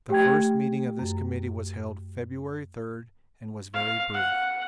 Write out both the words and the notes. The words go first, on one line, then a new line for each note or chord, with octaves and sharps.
The first meeting of this committee was held February third and was very brief.
A3 G4 G5 G#6
F#2
F5
F#5